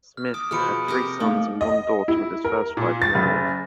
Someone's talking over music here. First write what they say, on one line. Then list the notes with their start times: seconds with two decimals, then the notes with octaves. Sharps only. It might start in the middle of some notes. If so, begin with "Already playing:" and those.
Smith had three sons and one daughter with his first wife, Marion.
0.17 F6
0.34 D6 D#6
0.51 B2 F3 G#4 B5 F6 C#7 D7
0.88 C3 G4 A#4
1.20 A3 A#3 D#4 F5
1.61 D#5
2.08 E4
2.45 A#4
2.77 A#2
3.02 A6
3.15 F#1